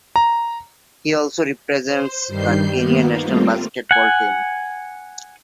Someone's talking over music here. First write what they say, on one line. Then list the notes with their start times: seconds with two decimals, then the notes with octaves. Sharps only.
He also represents the Kenya national basketball team.
0.16 A#5
1.84 C5
2.28 G2 D#3 G3 G6 C7
2.73 D#3 A#3 B3
3.21 G3 A3 A#3 C4 F4
3.91 F#5 G#5